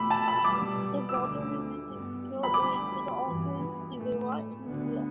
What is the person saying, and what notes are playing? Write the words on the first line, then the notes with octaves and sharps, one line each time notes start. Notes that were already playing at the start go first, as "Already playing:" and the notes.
The border remains insecure owing to the ongoing civil war in Libya.
Already playing: B2 A3 B5 D6 E6
A5
B5
B2 G3 B3 D6
E6
D2 D3 A3 D6
G2 G3 B3
B5
D2 D3 G3 B3 D6
G2 E3 B3
A2 A3
D2 D3 B3